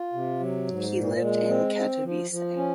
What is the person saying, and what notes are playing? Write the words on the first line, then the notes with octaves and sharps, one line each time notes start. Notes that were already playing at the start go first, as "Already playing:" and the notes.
He lived in Katowice.
Already playing: F4
C3
F#3
G#2
A#2
G#3
C4
C4
F3
F3
C#4